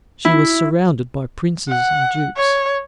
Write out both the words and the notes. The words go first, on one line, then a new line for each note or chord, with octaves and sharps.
She was surrounded by princes and dukes.
E4
F#5
C#5